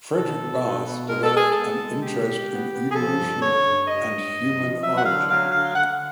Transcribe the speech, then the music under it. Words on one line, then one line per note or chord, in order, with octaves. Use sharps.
Fredrik Barth developed an interest in evolution and human origins.
B2 A4
B2
B2
B2
G#3 A#4
A4
G#3 G#4
A4
B3
G#3
B2 G4
G#3
B3
B3
G#4
F3 A4
G2
D3 C#5
G2
G2 D#5
G2
G2
F3
F#3 E5
F#5
D3 F5
F#3 F5
D3 F5
D3 F#5
F#5